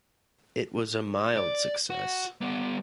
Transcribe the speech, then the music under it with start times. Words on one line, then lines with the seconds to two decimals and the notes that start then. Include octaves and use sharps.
It was a mild success.
1.37 D5
1.90 F#4
2.41 G3 B3